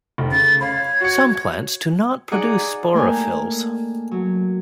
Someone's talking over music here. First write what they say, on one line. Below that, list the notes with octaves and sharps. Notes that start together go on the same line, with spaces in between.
Some plants do not produce sporophylls.
F1
C#3 A6
C#5 F5 B5
F#4 C#7
D#4 G#4 D5 F#5 A#5 D6
A3 A#3 A#4 G5 G#5
F#3